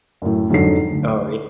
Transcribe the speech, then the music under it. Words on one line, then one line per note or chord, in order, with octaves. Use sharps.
Oh, ye
F#2 A2
F2 G#2 D3 F#3 A4 C7
D2